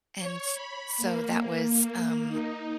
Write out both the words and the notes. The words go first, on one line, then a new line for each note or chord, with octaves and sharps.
And s so that was, um
C#5
B5
A#3
D#4